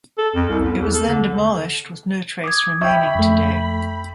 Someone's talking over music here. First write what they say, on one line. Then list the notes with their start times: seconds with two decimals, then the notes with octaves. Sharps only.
It was then demolished, with no trace remaining today.
0.18 A4
0.35 F2
0.49 C2
0.65 B3
0.80 E2
0.94 A4
1.08 D3
2.44 D6 D#6 G#6
2.82 E5 G5 B5 C#6
3.15 F2 A3